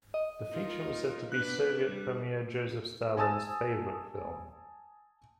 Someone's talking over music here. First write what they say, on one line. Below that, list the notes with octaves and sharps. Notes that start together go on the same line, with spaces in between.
The feature was said to be Soviet Premier Joseph Stalin's favourite film.
D#5
D#4 F4 A#4
B3 D4 B4 F#6
G3
G#5 A5 D#6 E6 A6